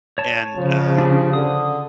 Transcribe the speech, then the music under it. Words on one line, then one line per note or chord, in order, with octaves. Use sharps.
and uh,
C#5 A5
C#3 F3
D4 G4 G#4
D3 D#6